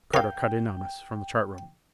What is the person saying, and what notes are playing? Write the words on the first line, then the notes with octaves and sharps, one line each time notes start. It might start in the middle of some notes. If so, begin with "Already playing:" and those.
Carter cut in on us from the chart room.
A#4 F5 G5